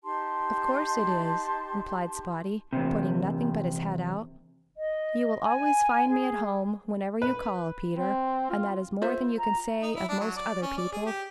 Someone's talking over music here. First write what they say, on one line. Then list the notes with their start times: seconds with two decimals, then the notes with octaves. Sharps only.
"Of course it is," replied Spotty, putting nothing but his head out, "You will always find me at home whenever you call, Peter, and that is more than you can say of most other people."
0.04 D#4 G4 A5 C6
2.73 E2 C3
4.77 D#5
5.42 G#5
6.09 G#4
7.22 B4
7.94 C4
8.50 F4
9.02 F4 C5 E5
9.39 A#5
9.82 D#4
9.96 E4
10.09 D4
10.20 F#3
10.36 D5
10.62 C#4
10.77 D5
10.92 G#4
11.06 G4